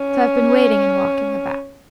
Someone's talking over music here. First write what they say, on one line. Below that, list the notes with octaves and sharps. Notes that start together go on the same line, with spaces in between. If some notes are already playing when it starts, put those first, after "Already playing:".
So I've been waiting and walking about.
Already playing: C#4